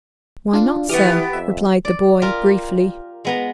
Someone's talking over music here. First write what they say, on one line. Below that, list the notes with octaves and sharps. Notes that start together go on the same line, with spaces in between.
"Why not, sir?" replied the boy briefly.
D4 F4
E3 B3 G4 C#6 D#6 F6
F2 E5
D5
F4 G4 A#4
G#3 B3 A#5